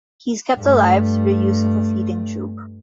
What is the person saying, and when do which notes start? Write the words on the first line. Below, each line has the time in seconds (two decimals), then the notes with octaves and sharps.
He is kept alive through the use of a feeding tube.
0.56 G2 A3